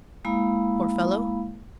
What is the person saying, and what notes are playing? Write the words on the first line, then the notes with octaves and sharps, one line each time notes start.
Poor fellow!
G#3 A#3 E4 F5 B5